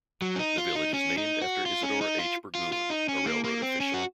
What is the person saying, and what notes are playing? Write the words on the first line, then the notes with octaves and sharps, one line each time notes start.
The village is named after Isadore H. Burgoon, a railroad official.
F#3
C#4
D#4
F4
D#4
C#4
D#4
F#4
F4
C#4
D#4
F4
F4
F4
D#4
C#4
A#3
A#3
C4
C#4
F#4